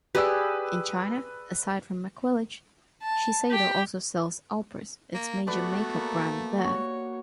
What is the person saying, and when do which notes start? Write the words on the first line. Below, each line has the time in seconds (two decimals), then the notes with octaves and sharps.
In China, aside from Maquillage, Shiseido also sells Aupres, its major makeup brand there.
0.15 G4 G#4 B4 D5 E6
3.02 A5
3.50 G4 G5
5.15 A#3
5.47 A3 B3 F#4 B4 D5
5.95 A#3
6.58 F#4 C#5